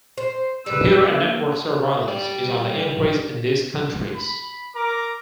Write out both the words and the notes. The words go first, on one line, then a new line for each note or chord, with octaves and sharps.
Computer and network surveillance is on the increase in these countries.
C5
G3 B4 E6
A#3
G4 D5
B5
A#4 A#5 D6